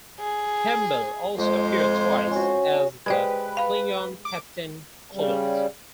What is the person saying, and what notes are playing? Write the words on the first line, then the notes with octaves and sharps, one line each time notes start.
Campbell also appeared twice as the Klingon Captain Koloth.
G#4
F2 G#3 C5
C#4 F#4
G#3 G4 B4 C5 D5 G#6
F5 B5
D6
C#3 G3